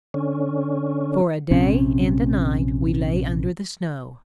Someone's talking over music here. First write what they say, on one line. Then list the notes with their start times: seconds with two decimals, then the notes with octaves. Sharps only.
For a day and a night we lay under the snow.
0.14 D3 C#4
1.51 A#1 C3 C4 C#4